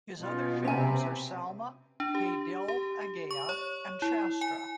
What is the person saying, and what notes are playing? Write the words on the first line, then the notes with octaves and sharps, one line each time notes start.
His other films are "Salma Pe Dil Aa Gaya" and "Shastra".
B2 C#4 D#4 F4
C3 C4 C#4 B4 G#5
D4
G4
G4
C#6
C#5
E4
G#5